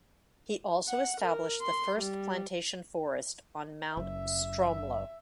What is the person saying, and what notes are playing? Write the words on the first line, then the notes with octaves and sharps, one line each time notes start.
He also established the first plantation forest on Mount Stromlo.
F#5
A#4
C6
G3
F#1 F#2 E5